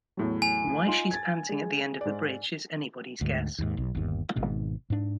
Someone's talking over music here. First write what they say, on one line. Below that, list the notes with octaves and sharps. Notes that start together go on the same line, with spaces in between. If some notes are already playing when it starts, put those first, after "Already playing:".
Why she's panting at the end of the bridge is anybody's guess.
E2 A2 F#3
G#5
D#4 F4 C6
G#6 A6
G#3
G#2 D5
D2 G#2
D#2 G#2
B1
G1 D#2
G#1 G#2 B2
G#2 D4